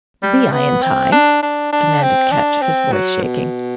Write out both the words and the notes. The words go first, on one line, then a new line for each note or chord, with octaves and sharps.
"Be I in time?" demanded Ketch, his voice shaking.
G3
B3
C4
D4
D4
D4
C4
D4
C4
F#3
B2